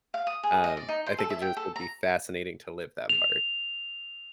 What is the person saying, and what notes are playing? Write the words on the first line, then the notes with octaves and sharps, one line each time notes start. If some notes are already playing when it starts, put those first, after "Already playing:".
Um, I think it just would be fascinating to live that part.
F5
D#6
G#4
D#5
D5
D#4
C5
A4
E5
G5
A4
A#5
F7